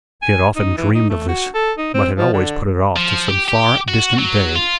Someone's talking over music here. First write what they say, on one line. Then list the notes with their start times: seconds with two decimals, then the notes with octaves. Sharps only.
She had often dreamed of this, but had always put it off to some far-distant day.
0.22 G#5
0.56 D#4
0.78 E3
0.95 D#4
1.10 A3
1.29 F#4
1.55 A4
1.78 D#4
1.94 C4
2.18 F3
2.34 D3
2.96 F3
3.29 G4
3.48 G4
3.88 F#4
4.19 F#3
4.56 F4